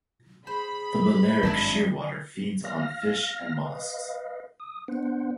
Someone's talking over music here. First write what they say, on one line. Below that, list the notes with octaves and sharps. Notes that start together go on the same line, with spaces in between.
The Balearic shearwater feeds on fish and molluscs.
G#4 C5 B5
G#1 G2 F#3 G#3 D4 E4
F5 F6 A#6
B4 D#5 F5
D#6
B3 D4 C5 F#5